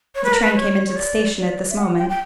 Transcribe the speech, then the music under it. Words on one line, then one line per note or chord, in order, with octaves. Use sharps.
The train came into the station at this moment.
C#5
B4
A#4
B4
C#5
C#5
D5
D5
E5
F#5
G5
G5